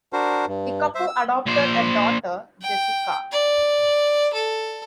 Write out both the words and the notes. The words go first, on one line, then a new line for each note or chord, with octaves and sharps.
The couple adopted a daughter, Jessica.
D4 F#4 A#4 C5
G2
C5 E5
E6
A#2 C5
G5
D5
A4